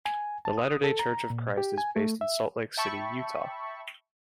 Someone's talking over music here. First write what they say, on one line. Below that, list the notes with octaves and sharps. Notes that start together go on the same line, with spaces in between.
The Latter Day Church of Christ is based in Salt Lake City, Utah.
G#5
A5
D#6
A4
A#5
A#2
G4
G#5
A3
E5
E5 G5 A5 B5 C#6